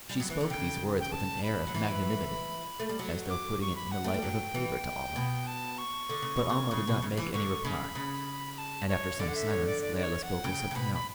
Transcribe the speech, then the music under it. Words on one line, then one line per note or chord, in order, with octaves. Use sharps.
She spoke these words with an air of magnanimity, as though putting it in the light of a favor to Almah; but Almah did not make any reply, and after some silence Layelah spoke of something else.
G3
F#3
E3
D3
C#3 G5
G5
A5
B5
F#3
E3
A3
G3
F#3
D6
C#6
B5
F#5
A3 G5
G3
F#3
E3
B2
A5
C#6
D3
C#3
B2
C#3
C#3
B2
C#3
E3
D3 C#6
C#3 B5
C#3
A5
C#5
D3 D5
F#5
E5
C#5
D5
D5
D5
C#5
F#5
C#3 G5
C#3
B2 B5
B5